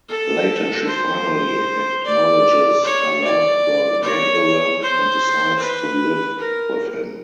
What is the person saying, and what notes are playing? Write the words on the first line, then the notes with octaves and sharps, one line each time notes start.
Later she finally acknowledges her love for Gangaram and decides to live with him.
A4
C5
D5
C#5
D5
C#5
C5
B4
A#4